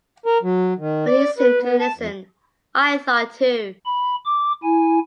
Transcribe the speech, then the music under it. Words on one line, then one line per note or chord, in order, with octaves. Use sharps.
But he seemed to listen, I thought, too.
A#4
F#3
D#3
D5
B4
B3
A5
F2
B5
D6
E4 G#5